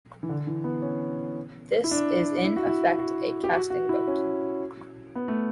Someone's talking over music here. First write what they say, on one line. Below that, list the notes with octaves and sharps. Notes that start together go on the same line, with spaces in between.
This is in effect a casting vote.
E3
D3
E3
B3
C#4
E4
D4
E4
F#4
E4
F#4
G4
F#4
F#4
E4
C#4
B3
A3